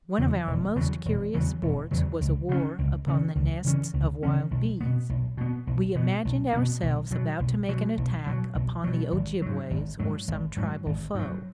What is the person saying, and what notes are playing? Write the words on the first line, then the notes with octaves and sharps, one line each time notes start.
One of our most curious sports was a war upon the nests of wild bees. We imagined ourselves about to make an attack upon the Ojibways or some tribal foe.
E2 C#3 F#3
E1
E2 C#3 F#3
E1
E2 C#3 F#3
E1
E2 C#3 F#3
C#2
C#3 E3 C#4
C#2
C#3 E3 C#4
C#2
C#3 E3 C#4
C#2
C#3 E3 C#4
B1
B2 B3
B1
B2 B3
B1
B2 B3
B1
B2 B3
B1
B2 F#3
B1
B2 F#3
B1
B2 F#3
B1
B2 F#3
G#1
G#2 F#3
G#1
G#2 F#3
G#1
G#2 F#3
G#1
G#2 F#3